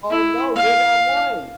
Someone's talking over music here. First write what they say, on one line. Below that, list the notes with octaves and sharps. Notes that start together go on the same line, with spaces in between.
Oh, no, you're that one!
E4
F5